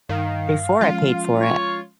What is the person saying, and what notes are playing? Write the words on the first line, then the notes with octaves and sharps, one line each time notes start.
before I paid for it.
G2 D#3 F5
F3 G#3 C#4 F4
C#5